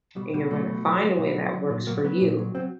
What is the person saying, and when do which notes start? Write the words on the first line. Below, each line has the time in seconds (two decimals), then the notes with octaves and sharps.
and you're gonna find a way that works for you."
0.16 B2 G3
0.34 B2 G3
0.51 F#3 A3
0.68 B2
0.85 F#3
1.02 F#3
1.18 B2
1.36 F#3
1.54 F#3
1.70 A#2
1.87 F#3 A#3
2.04 F#3 B3
2.21 A#2
2.39 F#3
2.55 F#3 C4